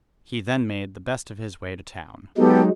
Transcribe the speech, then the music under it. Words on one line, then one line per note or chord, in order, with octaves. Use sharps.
He then made the best of his way to town.
F#3 G#3 B3 D#4 G4 A4